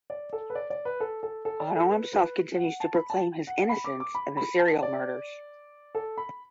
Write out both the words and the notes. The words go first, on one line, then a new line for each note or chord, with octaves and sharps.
Ono himself continues to proclaim his innocence in the serial murders.
D5
A4
B4
D5
D5
B4
A4
A4
A4
D5
A4
B4
B4
F#5
A5
B5
A5
F#5
B5
D6
D6
B5
B5
A5
D5
A4
B5